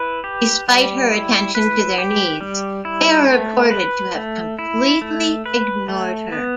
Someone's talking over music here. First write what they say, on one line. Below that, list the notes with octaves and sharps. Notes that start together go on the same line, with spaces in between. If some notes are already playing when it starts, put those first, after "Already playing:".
Despite her attention to their needs they are reported to have completely ignored her.
Already playing: E4 B4
G4
G3
E4
B4
G4
G3
E4
A3
B4
A3
E4
A3
B4
A3
B3